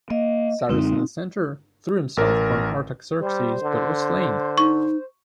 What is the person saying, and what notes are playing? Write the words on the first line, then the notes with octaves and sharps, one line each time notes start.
Cyrus in the centre threw himself upon Artaxerxes but was slain.
A#3 D#5
F#2 D3 G#3 C4 D#4
A1 A#4
G3 C5
D3
D#4 C#6